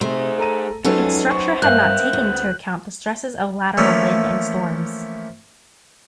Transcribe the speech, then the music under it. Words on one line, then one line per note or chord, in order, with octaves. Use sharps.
Its structure had not taken into account the stresses of lateral wind and storms.
C3 A3 G#4 C5
A4 A#5 D#7
G#2 F3 F#3 C#4 D#4 G#4 A4 B4
B3 C5 C#6
G2 A#4 E5 F5 F#6 G6 F#7
D2
E3 F3 A3 A#3 C#4